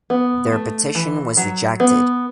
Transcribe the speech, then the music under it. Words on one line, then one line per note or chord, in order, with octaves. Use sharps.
Their petition was rejected.
B3
A3
E3
F#3
B3